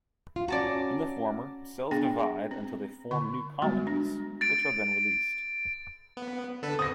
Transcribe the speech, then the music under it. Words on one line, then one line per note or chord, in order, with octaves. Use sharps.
In the former, cells divide until they form new colonies, which are then released.
F4
C#4 F#4 D5 A5 A#5
B3 D4 G#4 G5
C4
D3 C#6
G3 G#3 B3 F#4
D4
A6 D7
B3
D3 A4 B4
C4 D#6 A#6